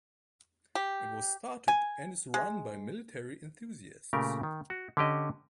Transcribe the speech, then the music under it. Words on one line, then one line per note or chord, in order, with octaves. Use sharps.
It was started and is run by military enthusiasts.
G4
G#5
G#3
A#2 C#3 A3 G4 A#4
D#3
F#4
D3 C#4 G4 D#5